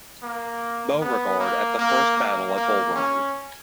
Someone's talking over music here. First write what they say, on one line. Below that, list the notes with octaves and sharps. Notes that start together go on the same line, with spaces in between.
Beauregard at the First Battle of Bull Run.
A#3
B3
A#3
A#3
A#3
A#3
C#4